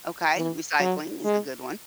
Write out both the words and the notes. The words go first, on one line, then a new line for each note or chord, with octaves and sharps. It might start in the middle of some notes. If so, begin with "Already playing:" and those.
Okay, recycling is a good one.
E3
F#3
G#3